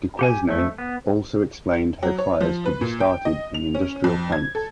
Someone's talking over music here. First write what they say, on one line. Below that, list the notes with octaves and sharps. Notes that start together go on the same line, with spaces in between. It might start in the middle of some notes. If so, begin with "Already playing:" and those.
Duquesne also explained how fires could be started in industrial plants.
G4 F#5 G#5
F2 A3
B3
F#3
C#5
F3
B4
A#2
G5
D#5
F7
C#4
F2
G#6
A4